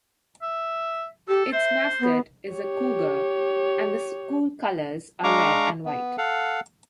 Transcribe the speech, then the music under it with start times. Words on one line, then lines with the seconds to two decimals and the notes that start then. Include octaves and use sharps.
Its mascot is a cougar, and the school colors are red and white.
0.42 E5
1.28 G4 A4
1.53 C5 E5
2.00 B3
2.53 G4 C#5
5.24 G#3 D4 F5 A#5 C#6 D6
5.85 B3
6.18 A4 F5 F#5